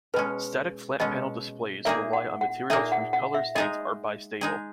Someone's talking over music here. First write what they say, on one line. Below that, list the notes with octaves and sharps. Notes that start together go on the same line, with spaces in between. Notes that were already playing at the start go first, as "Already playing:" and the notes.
Static flat-panel displays rely on materials whose color states are bistable.
B2 G#3 C#4 B4
B2 G#3 C#4 D#5
A#2 A#3 D#4 G#4 E5
F#5
F#5
A#2 A#3 D#4 G#4 E5
F#5
F#5
E5
G#3 D#4 G#4 D#5
G#3 D#4 G#4